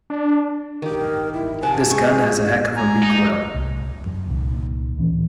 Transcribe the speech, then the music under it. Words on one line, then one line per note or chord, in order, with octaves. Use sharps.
This gun has a heck of a recoil.
D4
D#3 G4
A#4
E4
C3 F#5 G#5 A5
G#3 C#6
G#3 G#5 A#5
D#4
A3
C2
F#2
C2 A#2 D#3
D1 A#1 E3 C#4